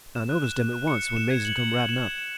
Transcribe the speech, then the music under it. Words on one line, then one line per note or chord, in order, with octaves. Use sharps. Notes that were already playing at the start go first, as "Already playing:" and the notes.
I noticed him at once, when Mason come ridin' up.
E7
F#6
E7
F#6
F#6
C#7
F#6
E7
G#6
F#7
F#7
F#7
E7
E7
E7